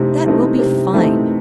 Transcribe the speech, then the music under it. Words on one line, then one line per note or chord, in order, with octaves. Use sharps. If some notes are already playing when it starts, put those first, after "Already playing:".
"That will be fine."
Already playing: C3 E3 A3 C4 D#4
E3 A3 C4 D#4
C3
E3 A3 C4 D#4